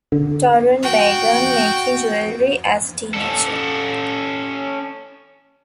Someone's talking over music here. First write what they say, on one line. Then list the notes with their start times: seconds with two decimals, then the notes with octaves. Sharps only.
Torun began making jewelry as a teenager.
0.12 D3
0.82 F#4 G5
3.14 C#4 A4